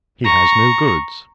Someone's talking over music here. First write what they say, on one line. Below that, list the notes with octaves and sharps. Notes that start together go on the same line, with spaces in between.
He has no goods.
A#5 C#6